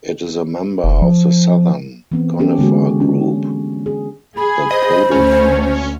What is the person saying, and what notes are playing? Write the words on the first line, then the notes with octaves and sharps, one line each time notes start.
It is a member of the southern conifer group, the podocarps.
F1
F3
E3 B3 C4
B3 C#4 G4 A4
D3 G#3 A#3 F#4
C#4 D4
G#4
G#4 B5
C5 D#5
D2 C#4